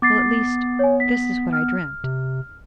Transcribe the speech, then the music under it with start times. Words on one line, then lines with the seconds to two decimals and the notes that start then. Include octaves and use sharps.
Well, at least, this is what I dreamt.
0.02 B3 D6 A6 C7
0.79 C#5 G#5
1.00 B6
1.53 F6
2.04 C3